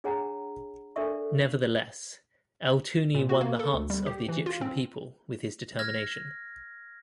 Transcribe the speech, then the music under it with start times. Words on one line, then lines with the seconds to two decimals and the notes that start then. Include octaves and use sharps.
Nevertheless, Eltouny won the hearts of the Egyptian people with his determination.
0.04 D4 G#4 C#5 F#5 G#5 A#5
0.96 D4 A4 A#4 D5 E5 C#6
3.15 A#2
3.29 F#4
3.41 A#3
3.59 A4
3.74 D2
3.90 G3
4.06 G4
4.28 E3
4.46 F4
4.61 C4
5.79 F6 G#6 A#6